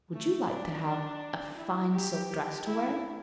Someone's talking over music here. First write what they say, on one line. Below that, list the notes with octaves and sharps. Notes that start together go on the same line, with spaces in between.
'Would you like to have a fine silk dress to wear?'
A3
D4
D4
E4
G4
E4